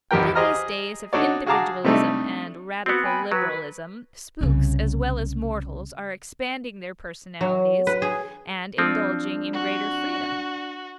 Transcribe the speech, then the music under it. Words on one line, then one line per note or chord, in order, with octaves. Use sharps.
But in these days of individualism and radical liberalism, spooks as well as mortals are expanding their personalities and indulging in greater freedom.
G#1 E2 G4 A#4 G5
G4 G#4 C5 D#5 A#5 F6
D4 D#4 F#4 A4 C#5 D5
F#4 G#4 F5 A5 A#5 D6
C3 G3 A3 D4 D#4
B3 C4 F#4 F#5
G5 G#5 B5
F#3 B4
C2 C#3
F#3
B4
G#4
F3 C4 D4
F#4